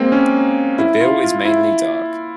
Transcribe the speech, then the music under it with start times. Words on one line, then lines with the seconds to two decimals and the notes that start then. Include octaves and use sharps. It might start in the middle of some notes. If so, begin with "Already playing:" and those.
The bill is mainly dark.
Already playing: G#3 A#3 C4
0.12 C#4
0.79 E4
1.01 F4
1.24 F4
1.45 E4